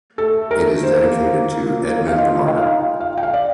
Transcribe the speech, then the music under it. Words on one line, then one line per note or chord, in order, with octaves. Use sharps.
It is dedicated to Edmund the Martyr.
A3 A4
A#4
A#3 C5
A#3
A#3
F5
F4 D#5
D#5
D#4 G5
F5
F4
F5
G5
F5
D5